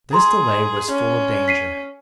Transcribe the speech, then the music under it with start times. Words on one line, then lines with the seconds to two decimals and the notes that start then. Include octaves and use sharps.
This delay was full of danger.
0.13 G#4 A#5 C6
0.92 C#4
1.48 B6 C7 D#7